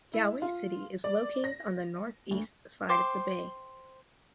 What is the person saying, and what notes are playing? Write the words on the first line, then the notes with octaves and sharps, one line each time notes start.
Galway city is located on the northeast side of the bay.
E4
F4
D5
A#6
D2
C5 G5 C6 D6